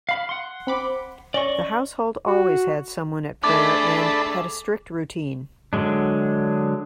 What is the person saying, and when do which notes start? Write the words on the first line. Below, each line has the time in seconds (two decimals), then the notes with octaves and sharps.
The household always had someone at prayer and had a strict routine.
0.09 F5 B5
0.29 F#5 C6
0.67 C4 B5 D6
1.34 C#4 D5 D#5 C#6
2.27 F#4
3.44 A3 D4 G#4 A5 B5 D6
5.73 D3 F#3 G#3 D4